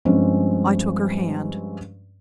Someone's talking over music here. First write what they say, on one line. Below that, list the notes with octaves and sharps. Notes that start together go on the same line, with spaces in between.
I took her hand.
G2 F3 G3 G#3 C4 C#4